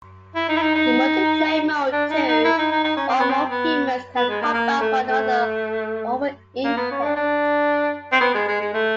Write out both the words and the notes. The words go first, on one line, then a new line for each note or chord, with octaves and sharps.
In Multiplayer mode two or more humans can combat one another over the Internet.
E4
D#4
E4
D#4
D#4
D4
D#4
D#4
E4
D#4
D#4
D#4
C#4
C4
B3
C4
B3
B3
G#3
A#3
A#3
A3
A3
A#3
B3
C#4
D4
D4
C4
B3
G#3
G#3
G#3
A3